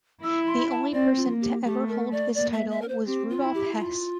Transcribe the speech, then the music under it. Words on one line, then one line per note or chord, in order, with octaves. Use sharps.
The only person to ever hold this title was Rudolf Hess.
E4 E6
C6
A5
C4 D5
F4
A#3
G4
A3 G4
A#4
D5
A#3 D5
E5
E5
A#4
C5
C4 G4
F4
E4
G4
F4